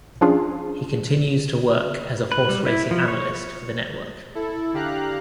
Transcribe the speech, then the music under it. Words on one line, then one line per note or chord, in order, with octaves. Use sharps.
He continues to work as a horse racing analyst for the network.
F3 C#4 D4 F4 G#4
B4
G3
E4
F3
C#5
E4 A4
D3 G4 F5 A#5 F#6